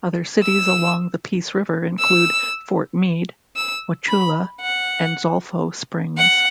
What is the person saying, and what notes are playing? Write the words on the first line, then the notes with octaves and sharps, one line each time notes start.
Other cities along the Peace River include Fort Meade, Wauchula and Zolfo Springs.
E6
E6
E6
B5
F#5
F#5